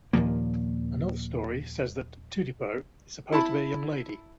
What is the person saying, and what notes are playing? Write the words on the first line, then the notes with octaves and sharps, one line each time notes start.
Another story says that Tudipo is supposed to be a young lady.
D#2 A#2 F3 A#3
E4 A5 B5